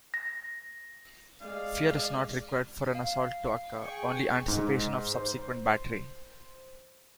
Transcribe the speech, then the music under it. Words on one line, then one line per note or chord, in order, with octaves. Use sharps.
Fear is not required for an assault to occur, only anticipation of subsequent battery.
A#6
G#3 D5 F5
F5
G#4 G5 C#6
G#2
C5